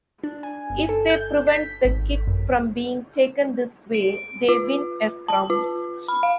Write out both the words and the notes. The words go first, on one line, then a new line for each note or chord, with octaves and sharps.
If they prevent the kick from being taken this way, they win a scrum.
D4
G#5
G1
A4
G6
B6
G#1
F#2
D7
F4
A5
F4
B5
F5